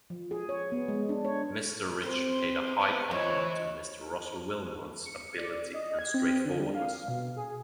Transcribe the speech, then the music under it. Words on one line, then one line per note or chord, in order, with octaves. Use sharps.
Mr. Rich paid a high compliment to Mr. Russell Willmott's ability and straightforwardness.
F3
G#4
C#5
B3
G#3
D4
C#5
C4 G4 C5 C6
B3
E3 F3 E4 C#5 D#5 C#6
C#7
D5
D#5
G#6
C4
D3
G3
F5
B2
G#4